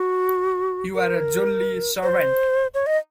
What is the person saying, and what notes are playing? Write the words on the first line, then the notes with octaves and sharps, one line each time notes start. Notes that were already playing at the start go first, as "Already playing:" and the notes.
You are a jolly servant!
Already playing: F#4
A#4
C5
C#5
D#5